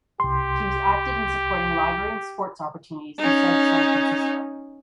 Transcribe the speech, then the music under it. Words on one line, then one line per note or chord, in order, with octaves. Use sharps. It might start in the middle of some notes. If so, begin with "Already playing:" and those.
She was active in supporting library and sports opportunities in South San Francisco.
C2 G4 C6
C#4 D#4